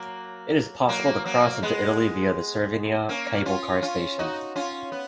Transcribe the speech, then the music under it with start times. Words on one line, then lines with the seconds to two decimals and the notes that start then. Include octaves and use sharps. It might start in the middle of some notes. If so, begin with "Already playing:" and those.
It is possible to cross into Italy via the Cervinia cable car station.
Already playing: F#3 A#3
0.89 F#3 A#3
1.26 F#3 A#3
1.62 G#3 B3
3.09 A#3 C#4
3.46 C#4 F4
3.82 C#4 F4
4.19 D#4 F#4
4.56 C#4 F4
4.92 B3